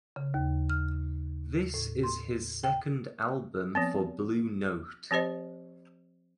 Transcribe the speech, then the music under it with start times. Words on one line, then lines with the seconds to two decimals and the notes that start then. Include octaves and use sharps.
This is his second album for Blue Note.
0.16 C#3
0.34 D#2
0.70 F6
1.74 A2
2.03 C6
2.64 G5
3.75 F3 B3 C4
5.11 F3 C4 G4 C5 D#5